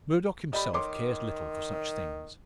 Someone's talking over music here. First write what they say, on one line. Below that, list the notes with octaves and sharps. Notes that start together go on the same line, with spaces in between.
Murdock himself cares little for such things.
G3 D#5 B5
D#3 C#5 C6 D6